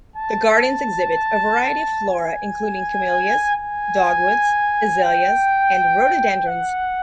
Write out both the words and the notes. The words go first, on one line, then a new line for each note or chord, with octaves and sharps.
The gardens exhibit a variety of flora including camellias, dogwoods, azaleas, and rhododendrons.
A5
A5
G#5
G#5
G5
F#5